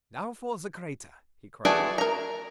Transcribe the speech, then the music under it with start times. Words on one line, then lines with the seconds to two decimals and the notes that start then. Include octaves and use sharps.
"Now for the crater!" he cried.
1.65 E3 A3 F#4 G#4 D5
1.98 A#4 A#5